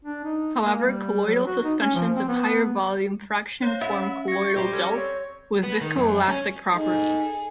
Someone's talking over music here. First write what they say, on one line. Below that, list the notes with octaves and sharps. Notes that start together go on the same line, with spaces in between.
However, colloidal suspensions of higher-volume fraction form colloidal gels with viscoelastic properties.
D4
D#4
A#3
G3
F#3
F#4
D#4
C#4
F3
C4
B3
C5 C#5 F5
C#4 E5 B5
C#6 G#6 A#6
G3 G4 C5
C#4 A4
C4 C#5
B3
D#3
F#2
C#4
D#4 G#4 A4